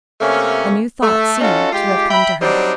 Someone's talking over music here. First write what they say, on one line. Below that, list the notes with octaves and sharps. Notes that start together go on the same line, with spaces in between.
A new thought seemed to have come to her.
C3 A3 A#3 C#4
A3
C#4 D#4 F4 F#4 A4
G#3 F4 G4
E5 G5 B5
F#3 G3 C4 D4 D#4